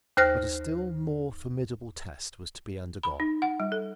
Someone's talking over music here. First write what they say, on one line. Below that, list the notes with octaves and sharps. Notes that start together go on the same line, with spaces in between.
But a still more formidable test was to be undergone.
D#2 C5 F6 A#6
B5
D#4
F#5
G3
A4